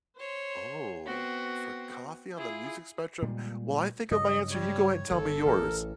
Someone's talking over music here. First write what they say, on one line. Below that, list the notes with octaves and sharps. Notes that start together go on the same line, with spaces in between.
Oh, for coffee on the music spectrum. While I think of my answer, you go ahead and tell me yours.
C5 C#5 C6
B3 C4 F#4
E4 F4 G#4
A#2 G3 G#3
G2 C#3 F#3 D#5
G3 C#5
G1 A4
A1 E3 A#4